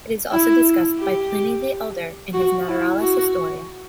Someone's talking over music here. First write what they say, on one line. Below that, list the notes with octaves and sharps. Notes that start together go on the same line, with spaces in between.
It is also discussed by Pliny the Elder in his Naturalis Historia.
E4
G4
F#4
E4
F#4